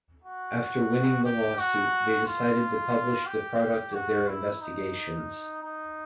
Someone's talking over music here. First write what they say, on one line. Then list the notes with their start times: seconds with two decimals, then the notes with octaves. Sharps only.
After winning the lawsuit they decided to publish the product of their investigations.
0.24 F#4
1.24 G4
1.59 F#4
2.26 F4
3.26 G4
3.93 F#4
4.28 E4
4.61 D#4
5.63 D#4